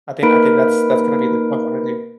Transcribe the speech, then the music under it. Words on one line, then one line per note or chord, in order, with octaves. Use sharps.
I think I think that's that's gonna be the tough one with you.
A#3 D#4 A#4 B4 B5 D7